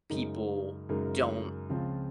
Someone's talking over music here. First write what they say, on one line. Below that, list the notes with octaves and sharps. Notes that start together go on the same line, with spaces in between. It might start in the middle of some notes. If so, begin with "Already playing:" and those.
people don't
F#2 C#3 G#3 D#4 A#4
F#2 C#3 G#3 D#4 A#4
C#2 C#3 F3 C4 F4